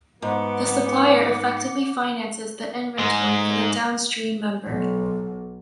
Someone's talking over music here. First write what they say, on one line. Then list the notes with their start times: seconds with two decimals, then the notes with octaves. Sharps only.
The supplier effectively finances the inventory for the downstream member.
0.22 G#2 B3 B4 F#5 D6
2.99 G#2 G#3
4.68 B1